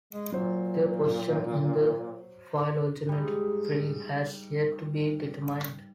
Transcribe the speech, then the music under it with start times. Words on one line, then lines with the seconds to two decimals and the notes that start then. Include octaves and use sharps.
Their position in the phylogenetic tree has yet to be determined.
0.13 G#3
0.32 A#2 F#3 C5
3.09 G#2 G3